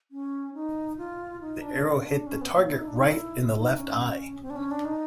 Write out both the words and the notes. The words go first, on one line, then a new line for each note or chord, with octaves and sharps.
The arrow hit the target right in the left eye.
C#4
D#4
F4
D#4
D4
C#4
D4
C#4
B3
A#3
E4
D#4
D4
D#4
E4
D#4
C#4
C4
D4
C#4
D4
D#4